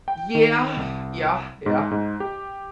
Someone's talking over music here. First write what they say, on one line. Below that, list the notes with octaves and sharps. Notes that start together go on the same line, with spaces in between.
Yeah. Yeah. Yeah.
G5
D#3
C2
G#2
G#2
G4